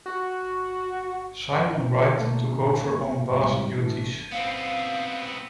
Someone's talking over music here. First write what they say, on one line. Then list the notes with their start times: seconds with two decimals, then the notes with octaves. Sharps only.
Simon Wright took over on bass duties.
0.06 F#4
1.67 B2 E3
2.15 B2 D3 A3 A#3
2.53 G#2 B2 D#3
2.82 G#2 D#3 A3 A#3
3.27 G#1 E2 A2 C3 G3 B3
3.72 A2 D3 E3 A3
4.32 B3 C4 F5